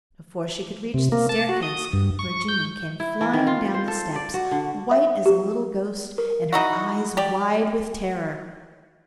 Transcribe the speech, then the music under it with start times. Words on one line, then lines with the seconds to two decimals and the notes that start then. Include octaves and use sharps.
Before she could reach the staircase, Virginia came flying down the steps, white as a little ghost, and her eyes wide with terror.
0.94 C3
1.12 A#3
1.29 A5
1.49 F#4
1.63 D#6
1.93 G2
2.19 C#6
2.49 G6
3.00 E4
3.21 E3
3.33 D#3
3.47 F4
3.74 C5
3.88 A4
4.16 D5
4.34 F#4
4.51 D3
4.91 E5
5.26 G4
6.18 A#4
6.53 D#4 E4 F#4
7.17 G4 D5